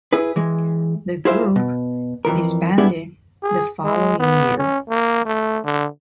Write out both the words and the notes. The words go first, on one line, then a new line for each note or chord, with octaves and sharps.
The group disbanded the following year.
E4 G#4 B4
E3 G#3
E4 F4 G#4 C5 E5 F5
B2
F2 E3 A#4
G3 B3 D4 E4 G4 G#4
G#4
G#3
B3
C#4
A#3
A3
D3